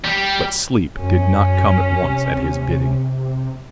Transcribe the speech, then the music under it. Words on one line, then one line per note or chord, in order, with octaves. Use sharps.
But sleep did not come at once at his bidding.
G3
F#2 C#4
C3